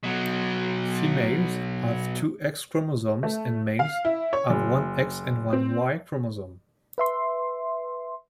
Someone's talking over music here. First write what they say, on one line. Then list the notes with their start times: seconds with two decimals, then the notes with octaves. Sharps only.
Females have two X chromosomes and males have one X and one Y chromosome.
0.03 B2 F#3
3.23 A3
3.79 F5
4.05 E4
4.33 C#5
4.50 F#1
5.53 C4
6.98 B4 E5 C6